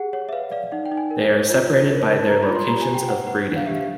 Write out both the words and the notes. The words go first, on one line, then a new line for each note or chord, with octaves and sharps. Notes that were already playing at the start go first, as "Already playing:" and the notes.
They are separated by their locations of breeding.
Already playing: G4 G#4 F#5
C#5 F#5
E5
B4 F5
D5 F5
D#4 F#5
G5
D#4
G#5
A#4
C#5
F4
B4
A#4
A5
A#4
A4 A#5
B5
F4
C6
G4 A#5
G#5
G4
G5
B4 F#5
B4 F#5
D4
F5
G4 E5
F5